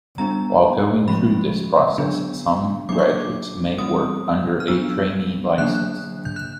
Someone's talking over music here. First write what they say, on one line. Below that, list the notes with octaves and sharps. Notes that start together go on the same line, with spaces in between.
While going through this process, some graduates may work under a Trainee License.
G3 B3 D4 A#5
F3 G#3 C#4 B5
D3 F#3 B3 D4
F#3 A#3 D4 D6
C#6
D6
G3 C4 D#6
F6
F#3 B3 D4 E6
D3 F#3 A#3 D4 F#6
G6
F#6